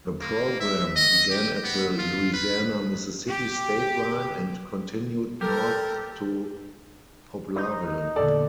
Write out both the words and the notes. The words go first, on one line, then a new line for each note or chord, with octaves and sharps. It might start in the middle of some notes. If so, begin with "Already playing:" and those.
The program began at the Louisiana-Mississippi state line and continued north to Poplarville.
A#3
E5
D#5
G4
B3
F4
B4
G4
G4 A4 A#4
D#4
E2 A#2 D3 A4 D5